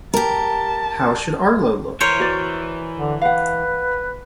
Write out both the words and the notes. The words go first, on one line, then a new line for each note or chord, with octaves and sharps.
How should Arlo look?
G4 A#4 A5
E3 E4 A#4 C5 C#5
F#4 B4 D5
D3
B4 F5 F#5